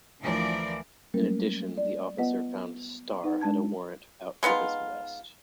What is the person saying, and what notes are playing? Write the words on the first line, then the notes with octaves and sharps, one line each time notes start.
In addition, the officer found Starr had a warrant out for his arrest.
D2 E3 F3 A#4 D5
F#3 G3 A3 A#3 C#4 A#4
D5
B3 F4 B4 D#5 F#5
D#4 B4 F#5
G#3 D4 A5 G#6
G#3 B3 D#4 F4